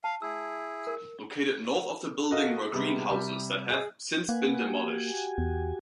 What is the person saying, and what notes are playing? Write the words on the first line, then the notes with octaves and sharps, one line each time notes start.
Located north of the building were greenhouses that have since been demolished.
F5 A5
E4 G#4 E6
A#4
F#4 A4 A#4 D#5 F5
C3 G3 G#3 B3
C3 G3
G#4
A#3 B4 F#5 G#5
F#4 G4 G#5
E2